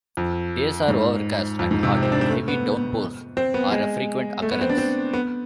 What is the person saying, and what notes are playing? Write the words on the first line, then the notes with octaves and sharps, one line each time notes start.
Days are overcast and hot; heavy downpours are a frequent occurrence.
F2
G#2
F2
G#2
C3
C4
D4
C4
A3
B3
C4
B3
G#3
A3
B3
C4
D4
C4
B3